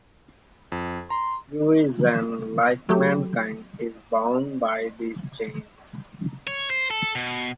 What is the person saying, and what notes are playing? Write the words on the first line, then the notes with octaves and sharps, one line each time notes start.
Urizen, like mankind, is bound by these chains.
F2
A#5 C6
F#3 A3 G4
C#5
C5
A4
B2